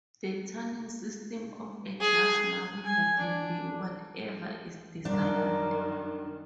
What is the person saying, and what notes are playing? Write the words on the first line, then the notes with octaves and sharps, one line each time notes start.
The tuning system of a glass marimba can be whatever is desired.
G#4
G#5
D4
F#2 D#3 G3 D4 A#4